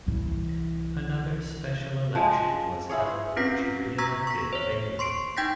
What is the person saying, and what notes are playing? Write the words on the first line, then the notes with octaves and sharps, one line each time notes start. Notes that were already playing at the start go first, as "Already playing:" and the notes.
Another special election was held which re-elected Bailey.
C2 E3
F3 G#3
E4 F4 G#4 C#5
C4 C#4 F4 B4 B6 C7
A#5 C#6 E6 G#6 A#6 B6
C#6 B6
C5 C#5
C6 C#6 C7 D7
D#4 G5 G6 G#6 A#6 B6